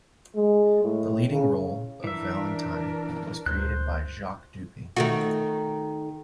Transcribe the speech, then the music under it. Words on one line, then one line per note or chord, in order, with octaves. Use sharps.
The leading role of Valentin was created by Jacques Duby.
G#3
A2
C#3
E3 D4 A#4 E5
D2 C5 F#6
D#3 A3 F#4